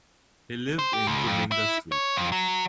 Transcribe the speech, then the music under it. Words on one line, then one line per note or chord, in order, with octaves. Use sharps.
He lived in Toominga street.
C5
G4
C#2
F2
E4
C#5
F2
F#3